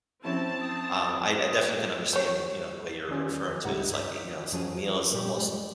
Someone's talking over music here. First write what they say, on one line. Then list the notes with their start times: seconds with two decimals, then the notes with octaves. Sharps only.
um, I I definitely can understand w you know, the way you're referring to. It's like, you know, the meal is almost,
0.25 F3 C4 C#4 E4 A5
0.61 D#6
2.13 C5 C#5
3.09 D#3 G3 C#4 F4
3.65 C#2 G2 D#4 E4 G4 F#5
3.94 D#6 G6 B6
4.52 F#2 F3 F#3 G#4 D#7
5.12 G2 A#2 G3 G4
5.37 G3 G#3